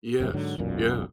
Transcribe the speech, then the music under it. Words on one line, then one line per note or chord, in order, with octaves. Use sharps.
Yes. Yeah.
G1 F#2 C3
G#2 D3 F#3
E1 B1 F#2 A#2